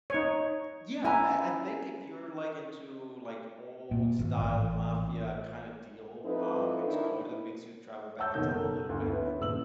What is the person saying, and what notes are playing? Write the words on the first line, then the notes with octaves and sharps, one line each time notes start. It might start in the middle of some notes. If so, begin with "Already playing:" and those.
Yeah, I I think if you're, like, into, like, old-style mafia kinda deal, um, it's good, it makes you travel back in time a little bit,
D#4 C#5
C#4 E4 G#5 A#5
A#2
G#1
A1
F3 C4 D#4 E4 A4 B4
D#3 D4 E4
C#5 F#5 A5 E6 G6
F#1 B2 D#3 G6
A4 A#4
G1 D2
B3 C#4 E4
D#1 E6 F#7